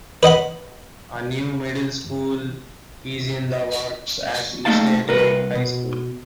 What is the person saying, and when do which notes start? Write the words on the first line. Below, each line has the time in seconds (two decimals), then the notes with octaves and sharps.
A new middle school is in the works at East Lake High School.
0.23 B4 D#5 F#5 B5
4.65 A3 A#3 D#4 F5 A5
5.07 C2 A#4 B4
5.55 B2